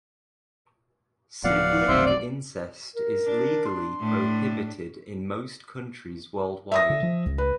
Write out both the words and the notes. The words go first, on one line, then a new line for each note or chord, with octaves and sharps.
Sibling incest is legally prohibited in most countries worldwide.
D1 F3 B3 D5 F5 F#5
F1 B1 C4 C5 E5
D5
A#4
D4
C6
A2 A3 D4
E5 D#6 A#6
D3
F3
C#2
B4